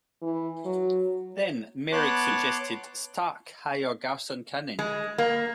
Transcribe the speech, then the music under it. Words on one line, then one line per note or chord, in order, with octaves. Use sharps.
Then Merrick suggested Stark hire Garson Kanin.
E3
F#3
B3 C#5 A5 C6 D6 F#6
G#3
A#3